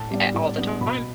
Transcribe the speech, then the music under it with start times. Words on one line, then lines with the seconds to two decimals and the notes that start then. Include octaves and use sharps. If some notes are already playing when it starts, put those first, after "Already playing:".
Eh, all the time.
Already playing: A2 A5
0.11 G3 B3 D4
0.34 A2
0.57 G3 B3 D4
0.81 B2 B5